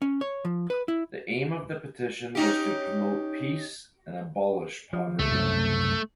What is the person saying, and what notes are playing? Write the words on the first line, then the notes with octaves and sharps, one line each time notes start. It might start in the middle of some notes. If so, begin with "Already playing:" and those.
The aim of the petition was to promote peace and abolish poverty.
C#4
C#5
F3
B4
E4
C#4 D#4 G4
F3
C#2 A3
C2 F#2 C#3